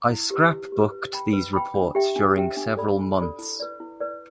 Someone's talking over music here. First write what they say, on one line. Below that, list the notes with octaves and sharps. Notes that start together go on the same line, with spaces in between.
I scrapbooked these reports during several months.
E4
G4 B4
E4
G4 B4
B4
G5 B5
B4
G5 B5
D4
G4 E5 G5
D4
G4 E5 G5
D4
A4 D5 B5
D4
A4 D5 B5
E4
B4 D5
E4
B4 D5